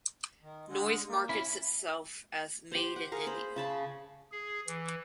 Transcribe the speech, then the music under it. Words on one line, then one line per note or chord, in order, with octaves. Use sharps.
Noise markets itself as "Made in India".
D#3
D3 G#3
A#3
C#4 E4
G4 C5
F#5
G#4 A#4 F5
C5 B5
C#3 A5 B5
G#4
E3